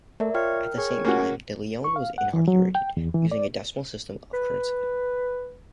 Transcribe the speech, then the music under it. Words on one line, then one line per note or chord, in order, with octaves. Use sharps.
At the same time, the Leone was inaugurated, using a decimal system of currency.
A3 A#4 D5 E5
F4 A#4 C#5 G5 F6
G#4 C#5
A#3 C#4 F#4
C#6
F5
F#5
E3
F#3
G5
E2
E3
D5
B4